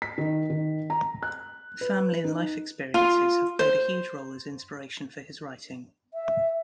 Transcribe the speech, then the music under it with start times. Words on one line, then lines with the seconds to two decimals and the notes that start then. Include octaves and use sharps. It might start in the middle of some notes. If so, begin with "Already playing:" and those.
Family and life experiences have played a huge role as inspiration for his writing.
0.02 B6
0.18 D#3
0.50 D#3
0.90 A#5
1.23 F#6
1.81 B4
2.24 D#4
2.94 F4
3.59 C5
6.14 E5